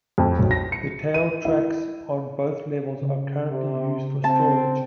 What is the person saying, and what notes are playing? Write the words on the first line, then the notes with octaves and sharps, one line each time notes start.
The tail tracks on both levels are currently used for storage.
F2
B1
A#6
C#7
D#7
E4
C#3
C3
C4 A5